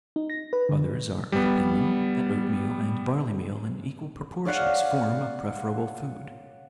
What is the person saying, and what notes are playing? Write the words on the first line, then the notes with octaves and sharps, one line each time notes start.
Others are of opinion that oatmeal and barleymeal in equal proportions form a preferable food.
D#4
A#6
B4
D3
G3 B3
C#5 D5 F5 F#5